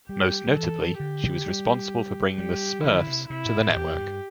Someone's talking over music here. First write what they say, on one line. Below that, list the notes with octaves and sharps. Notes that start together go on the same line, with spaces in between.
Most notably, she was responsible for bringing the "Smurfs" to the network.
G3 G4
G3
E3 A4
D3 G4
G3
G3 G4
E3 E4
D3
C3
C3 E4
A2
A2
E2 G4
G2